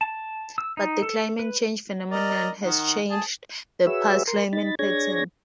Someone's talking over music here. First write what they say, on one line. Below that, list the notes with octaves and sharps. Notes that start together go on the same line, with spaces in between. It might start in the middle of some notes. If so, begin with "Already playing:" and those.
But the climate change phenomenon has changed the past climate pattern.
A5
E6
D#4
A4
B4
A#4 D5 D#5
D#3 F#5
G#4 A5
F#4 G#4 B4 C#5 E5 E6
A#4 C6
D#4 B5 A6
D4 G#4 C#5 G#6 A#6